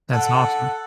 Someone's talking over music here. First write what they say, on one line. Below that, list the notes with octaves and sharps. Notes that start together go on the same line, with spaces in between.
That's awesome.
A4 F#5